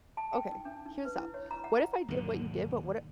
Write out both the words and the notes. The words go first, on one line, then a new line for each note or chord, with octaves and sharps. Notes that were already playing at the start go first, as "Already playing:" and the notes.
okay, here's up, what if I did what you did, but what I
A5
G5
D#4
D4
D#4
B4
E4
C#5
A#5
F#5
D#2 G#2 B2 D3 F#3